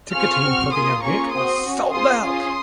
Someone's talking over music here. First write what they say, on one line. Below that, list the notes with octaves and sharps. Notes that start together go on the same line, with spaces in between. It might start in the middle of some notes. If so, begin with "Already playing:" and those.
Ticketing for the event was sold out.
C4 F4 G#4 C#6 F6
C4 F#4
A#3 F4 G#4 C6 D#6
A#3 C#4 F4 G#4 A#5 C#6
C4 F#4 C6 D#6
C#4 F#4
C4 F4 G#4 C6 D#6
C#4 F4 G#4 C6 D#6